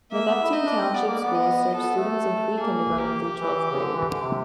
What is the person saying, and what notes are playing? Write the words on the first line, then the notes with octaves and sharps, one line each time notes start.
The Neptune Township Schools serve students in pre-kindergarten through twelfth grade.
A#3 E5
B3
E4
D#4 D#5
D4
C4
B3 D5
A#3
B3
D#5
B3 A4
A3
A#3 G#4
A#3 G4
E3
C#3
D3
E3
D3
C3